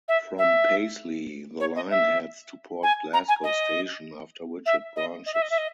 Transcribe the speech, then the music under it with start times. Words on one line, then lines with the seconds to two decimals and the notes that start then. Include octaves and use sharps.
From Paisley, the line heads to Port Glasgow station, after which it branches.
0.08 E5
0.38 E5
1.60 C#5
1.76 D#5
1.91 E5
2.83 G#5
3.13 A#5
3.28 G#5
3.44 D#5
4.66 E5
4.96 D#5
5.26 D#5
5.34 E5
5.42 D#5
5.50 E5
5.58 D#5